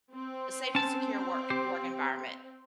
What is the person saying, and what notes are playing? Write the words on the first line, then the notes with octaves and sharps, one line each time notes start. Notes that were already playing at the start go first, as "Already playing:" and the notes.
a safe and secure work f work environment,
C4
C#4 A5
G4 C5